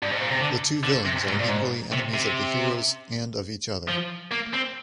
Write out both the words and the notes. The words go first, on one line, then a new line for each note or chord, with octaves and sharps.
The two villains are equally enemies of the heroes and of each other.
G2
G#2
A#2
C3
D3
D3
C3
G#2
A#2
G#2
C3
C3
F3
A#3
C4